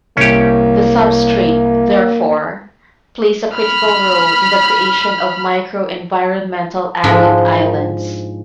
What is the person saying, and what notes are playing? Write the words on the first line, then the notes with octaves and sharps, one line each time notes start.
The substrate, therefore, plays a critical role in the creation of micro-environmental arid islands.
C2 A#3 C#4 G4
B5 F6
G#2 F3 G#3 D4 E4